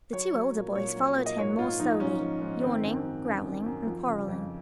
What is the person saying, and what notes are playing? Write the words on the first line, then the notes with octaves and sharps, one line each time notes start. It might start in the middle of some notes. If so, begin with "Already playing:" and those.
The two older boys followed him more slowly, yawning, growling, and quarreling.
F#3 C#5
F#3
A#2
A#2 C#5
F#3
A#2
D#5
G#2 C#5
G#2 F4
F3 D#4
G#2 C#4
F3
G#2
D#3 C4
F#2
F#2
F#2
F#2
F#2
F3
C#3
F2